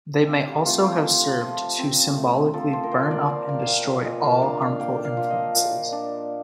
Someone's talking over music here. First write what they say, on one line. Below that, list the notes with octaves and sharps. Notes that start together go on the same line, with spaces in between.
They may also have served to symbolically "burn up and destroy all harmful influences".
G5
C4 F5
G4
A3 F4
F3
F3
C4
A3
F3 A4
C5
A#4
F3 C5
D5
A#3 F5
F5
F5
F3 G5
F5
A#2 D#5
F5
D4 F5
F5
A#3 G5
F5
F3
D#5
A#2
D4